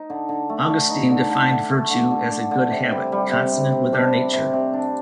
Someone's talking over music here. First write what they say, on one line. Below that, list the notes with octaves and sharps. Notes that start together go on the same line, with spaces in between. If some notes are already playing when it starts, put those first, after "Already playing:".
Augustine defined virtue as a good habit consonant with our nature.
Already playing: D#4
D3
D3
A3
D3
D#4
D3
D3
D3
A3
D3
D3
D3
D3
C3
G3
G3
C3
C3
C3
D4
C3
C3
C3
D4